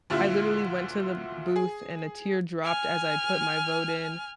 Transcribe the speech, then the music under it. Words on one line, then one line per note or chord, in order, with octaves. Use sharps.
I literally went to the booth and a tear dropped as I put my vote in,
D2 A#2 D3 E4 F4 F#6
G#4
G#5 F6